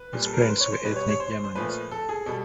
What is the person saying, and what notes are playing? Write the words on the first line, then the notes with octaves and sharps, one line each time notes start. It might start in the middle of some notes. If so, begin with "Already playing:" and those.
His parents were ethnic Germans.
Already playing: B4
A#2 G3
A4
A#4
B4
C5
C#5
C5
B2 G3 B4
C#5
C#5
C5
C5
C5
A#2 F3 A3 B4
A4
G#4
B2 G3 A4